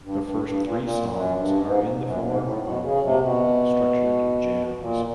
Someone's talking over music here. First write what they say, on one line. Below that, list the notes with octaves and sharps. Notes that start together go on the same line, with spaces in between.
The first three songs are in the form of long, structured jams.
G2
G2
G2
A#2
A#2
F#2
G2
G#2
F#2
G#2
A2
B2
C#3
C3
B2
A#2